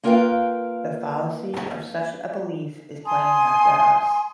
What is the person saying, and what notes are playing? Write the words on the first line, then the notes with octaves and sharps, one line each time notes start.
The fallacy of such a belief is plain enough to us.
A#3 F4 A#4 B4 F5 G5
G#5 A5 C6 D#6